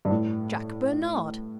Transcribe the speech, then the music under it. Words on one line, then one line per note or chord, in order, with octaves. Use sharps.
Jack Bernard!
G2
A2